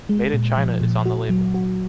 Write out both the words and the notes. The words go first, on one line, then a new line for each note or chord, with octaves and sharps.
Made in China is on the label.
G#3
A#2
F3
A#2
F#4
F#3
F#4